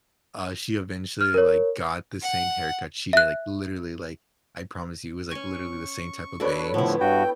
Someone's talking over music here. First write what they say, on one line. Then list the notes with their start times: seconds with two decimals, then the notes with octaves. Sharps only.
like, uh, she eventually, like, got the same haircut she did, like, literally, like, I promise you, it was, like, literally the same type of bangs.
1.21 F6
1.34 A#4 C#5
2.22 F#5
3.13 E5 F#6
5.31 C#4 G#5 C#6
6.40 D4 F#4 A4 B4 C#5
6.74 A2 D3 F3 B3 E4
7.00 G2 F#4 G5